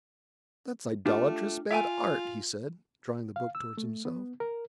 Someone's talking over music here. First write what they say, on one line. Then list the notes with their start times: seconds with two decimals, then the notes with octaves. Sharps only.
'That's idolatrous bad Art,' he said, drawing the book towards himself.
1.06 A3 D4 F4 G4
1.71 F4 E5 G5 G#5
3.36 F5
3.55 E6
3.77 A3
4.05 B3
4.40 A#4